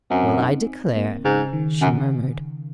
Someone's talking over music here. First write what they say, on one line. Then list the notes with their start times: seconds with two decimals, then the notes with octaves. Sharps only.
'Well, I declare,' she murmured.
0.10 F#2 C4
0.39 D#4
0.96 A#3
1.24 G#2 C#3
1.53 D#3
1.81 F#2 C#3